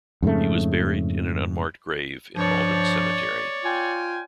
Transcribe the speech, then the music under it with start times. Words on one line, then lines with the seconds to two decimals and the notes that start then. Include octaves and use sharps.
He was buried in an unmarked grave in Maldon cemetery.
0.22 F2 G#2 C#3 A3
2.36 G2 F3 C#5 D5
3.64 F4 G5 G#5